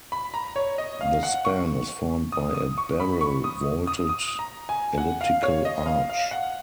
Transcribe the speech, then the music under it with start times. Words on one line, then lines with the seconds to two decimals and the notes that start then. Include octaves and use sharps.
The span is formed by a barrel-vaulted elliptical arch.
0.12 B5
0.34 A#5
0.56 C#5
0.78 D#5
1.01 F5
1.23 F#5
1.45 C#6
2.32 D#6
2.54 D#6
2.78 C#6
3.00 B5
3.21 C#6
3.44 D#6
3.87 D#6
4.09 D#6
4.39 A#5
4.69 G#5
4.98 F#5
5.21 F5
5.43 C#5
5.65 D#5
5.86 F5
6.09 F5
6.31 F#5